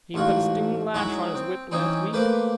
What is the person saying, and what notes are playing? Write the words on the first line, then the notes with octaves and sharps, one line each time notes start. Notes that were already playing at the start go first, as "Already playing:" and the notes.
He put a stinging lash on his whip last week.
A1 G#2 F4 F#4
F#3 G#3 D#4 E4 F#4
C4
E3 C4 C#4 D#4
A3 A#3 B4 C5 C6 D6